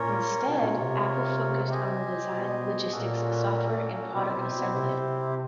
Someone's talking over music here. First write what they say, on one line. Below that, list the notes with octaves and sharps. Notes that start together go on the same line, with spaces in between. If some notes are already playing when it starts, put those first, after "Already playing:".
Instead, apple focused on the design, logistics, software and product assembly.
Already playing: A#2 A#3 C#4 F4 A#4 C#5
B2 F4 A#4 C#5
A#2
B2
C3
G4 C5 D#5 G#5
B2
A#2 A#3 C#4 F#4 A4
B2 C4 E4 G4 C5
B2
B2
C3